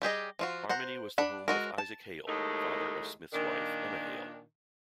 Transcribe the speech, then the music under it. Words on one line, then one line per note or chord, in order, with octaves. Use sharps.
Harmony was the home of Isaac Hale, father of Smith's wife, Emma Hale.
G3 G4 G#4 D#5
F3 F4 F#4
C5 F#5 A#5
D4 F#5 B5
G#3 F#4 A#4
A5
D#2 A2 D#3 G#3 A3 D#4
A#2 D#3 D4